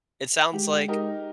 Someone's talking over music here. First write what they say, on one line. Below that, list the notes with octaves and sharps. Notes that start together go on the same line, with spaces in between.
it sounds, like,
G#3 G4
D#4 G4 A#4